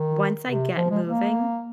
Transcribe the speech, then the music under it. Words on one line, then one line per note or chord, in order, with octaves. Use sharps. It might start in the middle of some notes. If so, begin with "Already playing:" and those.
once I get moving,
Already playing: D#3
C3
F3
G#3
A#3